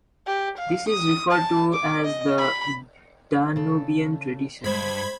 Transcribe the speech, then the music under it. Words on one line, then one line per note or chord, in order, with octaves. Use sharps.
This is referred to as the Danubian tradition.
G4
F5
D#6
A5
D6
D#5
B5
C#3 A4
G2 G#3 C5 B5 G#6